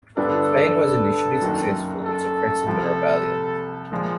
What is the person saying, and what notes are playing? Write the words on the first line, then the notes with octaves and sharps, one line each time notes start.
Spain was initially successful in suppressing the rebellion.
G2 D3 G3 B3 D4 A4
F#1 F#2 D#3 F#3
A4
C2 C3 F3
A#2 F3 G#3